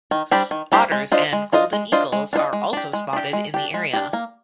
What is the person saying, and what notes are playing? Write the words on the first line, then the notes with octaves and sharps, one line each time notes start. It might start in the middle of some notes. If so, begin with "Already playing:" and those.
Otters and golden eagles are also spotted in the area.
D#3
G3 D4 G4 C5
D#3
G3 D4 G4 C5
G#3
D4 F4 C5 D#5
G#3
D4 F4 C5 D#5
G#3
D4 F4 C5 D#5
G#3
D4 F4 C5 D#5
G#3
D4 G4
G#3
D4 G4
G#3
D4 G4
G#3
D4 G4
A#3